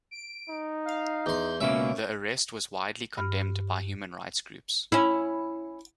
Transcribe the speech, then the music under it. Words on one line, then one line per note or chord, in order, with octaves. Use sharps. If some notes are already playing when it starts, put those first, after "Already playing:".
The arrest was widely condemned by human rights groups.
D7
D#4
F5
E2 C6 G6
C#2 B2 A#3 C#4 E5
G2 F6
C#4 E4